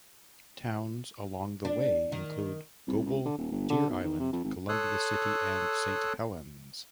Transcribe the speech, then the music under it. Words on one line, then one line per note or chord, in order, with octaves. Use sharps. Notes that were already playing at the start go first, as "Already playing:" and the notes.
Towns along the way include Goble, Deer Island, Columbia City, and Saint Helens.
D4
D#3
C2
C#2
D3
D#1
G1
D3
B1
D#3
C3
F2
G#1
A4 C#5 C6 D#6 E6 F#6